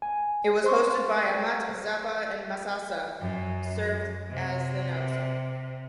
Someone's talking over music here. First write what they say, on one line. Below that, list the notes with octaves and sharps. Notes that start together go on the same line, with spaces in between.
It was hosted by Ahmet Zappa and Masasa served as the announcer.
G#5
C5 C6 C#6
F#2
C3